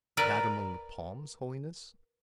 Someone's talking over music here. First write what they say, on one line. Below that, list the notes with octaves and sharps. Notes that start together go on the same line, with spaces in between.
"That among the palms, Holiness?"
A#4 B4 D5